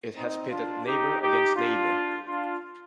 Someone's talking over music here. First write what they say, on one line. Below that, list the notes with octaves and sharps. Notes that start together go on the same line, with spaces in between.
It has pitted neighbor against neighbor.
C4 D#4
D4 F4
D#4 G4
D#4 G4
D4 F4
D4 F4